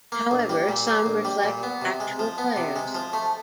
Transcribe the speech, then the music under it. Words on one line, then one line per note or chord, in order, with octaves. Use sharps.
However, some reflect actual players.
A#3
A#1
G3
A#2
A#3
A#1
G3
A#2
B3
C3
G#3
F3
B3
C3
G#3
F3
A3